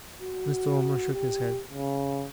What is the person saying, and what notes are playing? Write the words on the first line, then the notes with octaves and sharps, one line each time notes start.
Mr. Omer shook his head.
F#4
G4
C#3